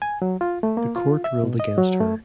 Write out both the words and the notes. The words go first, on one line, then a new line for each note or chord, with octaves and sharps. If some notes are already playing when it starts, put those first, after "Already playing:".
The court ruled against her.
G#5
F#3
F4
A3
A#3
F4
E5
B2
D#5
F#3
A3